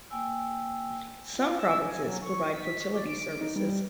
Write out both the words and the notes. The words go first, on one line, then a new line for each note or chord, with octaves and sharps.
Some provinces provide fertility services.
A#3 G5 G#5 E6
F4
E6
G#5
F#3
C#6
B6
C#5
D5
D7
D#4
G3